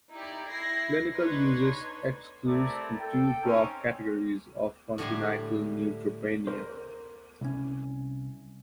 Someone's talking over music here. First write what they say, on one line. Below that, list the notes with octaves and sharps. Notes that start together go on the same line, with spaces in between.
Clinical usage excludes two broad categories of congenital neutropenia.
D#4 E4 G4 D5
E4 G#6 A#6 C7
D4 D#4 B4 C#5 C6 G#6
G3 A3 C4 E4 A#4 D5
A4 G5
C4 C#4 D#4
A2 D3 G3 G#5 A#5 C6
A#4 C5
C2 C#4